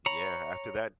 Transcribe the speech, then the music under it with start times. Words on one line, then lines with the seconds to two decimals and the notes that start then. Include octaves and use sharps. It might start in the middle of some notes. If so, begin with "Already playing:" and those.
Yeah, after that
0.06 C#5 A#5 B5